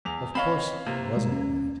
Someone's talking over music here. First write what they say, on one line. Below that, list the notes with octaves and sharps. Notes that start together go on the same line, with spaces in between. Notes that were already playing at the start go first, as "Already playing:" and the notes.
Of course it was all right.
E2 F7
C4 C#5 D#5 F5 B5
C3 A#3
B2 G#3
C#4